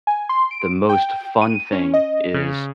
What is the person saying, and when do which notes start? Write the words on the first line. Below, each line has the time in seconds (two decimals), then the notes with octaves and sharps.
the most fun thing is
0.07 G#5
0.29 C6
0.51 D7
0.89 G5
1.41 D#7
1.72 C#4
1.94 D#5
2.34 C#3